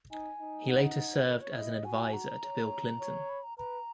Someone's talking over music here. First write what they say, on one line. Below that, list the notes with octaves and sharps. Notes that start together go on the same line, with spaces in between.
He later served as an adviser to Bill Clinton.
D#4 G#5
D#4
F#5
A#4
C#5
E4 D#5
F#4 G#5
A#5
C#5
C#5
B5
A#5
B4 A#5